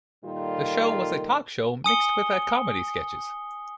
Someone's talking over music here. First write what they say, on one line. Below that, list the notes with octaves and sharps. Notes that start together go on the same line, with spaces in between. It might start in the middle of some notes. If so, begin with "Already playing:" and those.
The show was a talk show mixed with a comedy sketches.
A#2 D#3 G3 F4 A4 A#4
G#5 D#6 C#7 G7